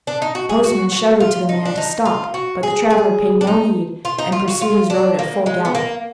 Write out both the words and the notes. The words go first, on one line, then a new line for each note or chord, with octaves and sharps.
The postman shouted to the man to stop, but the traveller paid no heed and pursued his road at full gallop.
D4
D#4
F#4
G#4
F#4
F#4
F4
D#4
D4
D#4
F4
F#4
G#4
G#4
D4
D#4
F4
D#4
F4
F#4
F4
D4
A#3
G#3
B3
A#3